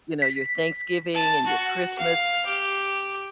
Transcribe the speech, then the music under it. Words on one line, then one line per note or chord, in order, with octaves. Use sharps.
you know, your Thanksgiving and your Christmas,
B6
A5
F#4
F5
G4